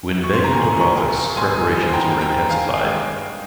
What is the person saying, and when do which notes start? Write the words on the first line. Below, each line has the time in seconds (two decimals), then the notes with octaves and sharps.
When Begin took office, preparations were intensified.
0.23 F1 C#6
0.33 C6
0.44 A#5
0.52 D#2 D#3 A#3 G#5 C6
0.80 F1 A#5 C#6
1.09 D#2 D#3 A#3
1.36 G2 G#5 C6
1.65 D#3 G3 C4
1.89 C6
1.93 G2 G5 A#5
2.21 D#3 G3 C4 G5 A#5
2.49 G2 F5 G#5
2.78 D#3 G#3 G5
3.06 G2